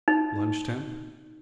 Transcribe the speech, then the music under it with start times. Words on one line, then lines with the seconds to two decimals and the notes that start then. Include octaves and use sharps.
Lunch Temp.
0.08 D#4